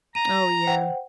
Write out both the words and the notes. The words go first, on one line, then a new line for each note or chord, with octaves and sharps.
Oh, yeah.
A#5 D#7
C5 F#5 G5